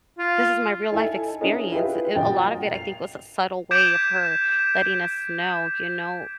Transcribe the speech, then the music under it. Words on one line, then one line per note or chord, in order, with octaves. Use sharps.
this is my real life experience, it a lot of it, I think, was a subtle way of her letting us know, you know
F4
D#4 E4 A4 D#5 G#5
C#4 D4 E4 G#4 A#4 D#5
E4 F4 G4 G#4 B4
A#2 F#3 D#5 G5 A6
C7 F7
D6 G6 G#6 B6 D7 E7